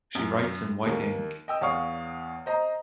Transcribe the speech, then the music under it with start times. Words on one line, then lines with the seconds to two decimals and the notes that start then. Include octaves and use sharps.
She writes in white ink.
0.15 F#2
0.85 D#2 A#3
1.48 D#5 G5 E6
1.61 E2 C#5 D5 F5 C#6 D#6
2.46 C5 D#5 A#5